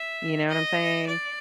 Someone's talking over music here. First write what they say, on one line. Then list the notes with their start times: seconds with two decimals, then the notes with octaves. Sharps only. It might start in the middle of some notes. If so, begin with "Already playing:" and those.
You know what I'm saying?
Already playing: E5
0.49 D#5
1.07 D5